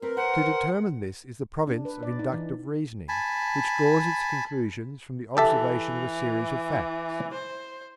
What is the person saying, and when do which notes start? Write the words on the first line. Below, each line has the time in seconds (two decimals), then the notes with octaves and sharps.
To determine this is the province of inductive reasoning which draws its conclusions from the observation of a series of facts.
0.02 C4 A#4 B4
0.17 B4 C5 F#5
1.67 D4
1.85 B4
2.03 D5
2.19 D#4
2.33 E3
3.09 G#5 A5 B5
5.37 E3 G4 A4 E5
7.33 C5